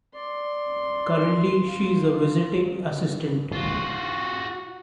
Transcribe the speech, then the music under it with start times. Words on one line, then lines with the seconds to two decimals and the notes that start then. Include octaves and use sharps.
Currently she is a Visiting Asst.
0.14 D5 C6
1.67 F4
3.52 F4 F#4